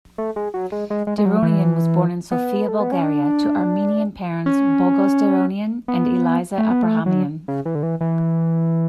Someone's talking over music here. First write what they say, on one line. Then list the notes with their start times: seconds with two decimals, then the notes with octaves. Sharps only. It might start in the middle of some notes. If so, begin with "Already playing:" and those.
Derounian was born in Sofia, Bulgaria to Armenian parents Boghos Derounian and Eliza Aprahamian.
0.18 A3
0.36 G#3
0.54 F#3
0.72 G#3
0.90 G#3
1.07 G#3
1.18 G#3
1.26 F#3
1.42 E3
2.31 B3
2.69 A3
2.80 B3
2.92 C#4
3.04 D4
4.46 C#4
5.88 B3
6.58 A3
6.71 B3
6.83 A3
7.06 F#3
7.48 C#3
7.65 E3
7.75 D3
7.83 E3
8.01 E3